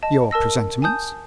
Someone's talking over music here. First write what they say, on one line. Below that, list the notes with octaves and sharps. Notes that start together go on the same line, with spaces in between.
"Your presentiments?"
D#5 A5
A#4 A5 E6 A#6
G#5 A5 D#6 G6